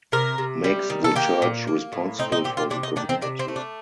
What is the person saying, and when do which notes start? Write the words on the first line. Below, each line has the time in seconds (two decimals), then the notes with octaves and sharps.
Makes the Church responsible for the community.
0.12 C3 A#4
0.38 C3
0.64 G3
0.90 D#3
1.04 A4
1.15 A#3 G4
1.42 A#2
1.67 A#3
1.92 A2
2.19 C4 D#4
2.32 D#4
2.44 A#2 G4
2.57 F4
2.70 C3 D4
2.83 D#4
2.96 D#3 D4
3.09 C4
3.22 C3 D4
3.39 C4
3.48 A3
3.56 D4